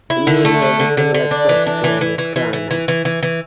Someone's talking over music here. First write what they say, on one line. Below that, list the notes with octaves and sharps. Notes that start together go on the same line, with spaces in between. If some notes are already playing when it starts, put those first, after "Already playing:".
The movie has a similar twist during its climax.
E4
D3
A3
D3
D3
D3
D3
D4
E3
D4
E3
E3
E3
E3
E3
E3
E3
E3
E3